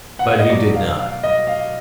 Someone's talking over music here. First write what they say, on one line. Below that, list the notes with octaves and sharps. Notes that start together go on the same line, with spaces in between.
But he did not.
F#5
F5
D#5
B2 F#3 D5
F5
F5
D#5
F5